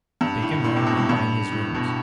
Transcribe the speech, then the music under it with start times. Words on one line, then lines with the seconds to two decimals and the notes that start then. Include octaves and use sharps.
Take him home and bind his wounds.
0.21 G2
0.42 A2
0.64 A2
0.76 C3
0.86 B2
0.97 A2
1.09 G2
1.52 A2
1.75 B2